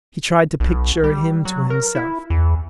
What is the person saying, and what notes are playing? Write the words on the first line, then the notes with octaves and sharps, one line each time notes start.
He tried to picture him to himself.
B1
G3
F#3
A#4
E4
E2